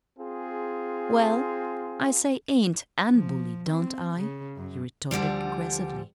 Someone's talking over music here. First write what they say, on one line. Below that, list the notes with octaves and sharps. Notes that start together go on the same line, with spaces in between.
"Well, I say 'ain't' an' 'bully'; don't I?" he retorted aggressively.
C4 F4 G#4
F3
C4
C#3
F#2
D2 D3 F3 G3